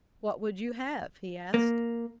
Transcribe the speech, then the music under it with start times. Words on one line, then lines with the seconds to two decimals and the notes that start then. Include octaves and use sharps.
"What would you have?" he asked.
1.54 A#3